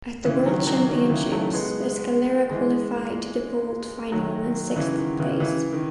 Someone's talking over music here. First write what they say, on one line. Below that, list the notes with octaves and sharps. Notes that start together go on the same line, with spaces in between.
At the World Championships Escalera qualified to the vault final in sixth place.
C#3 E3
D#3 F#3
D#3 F#3
D#3 F#3
C#3 E3
F#3 A3
G#3 B3
E3 G#3
D#3 F#3
C#3 E3
D#3
C#3 E3
C#3 E3
D#3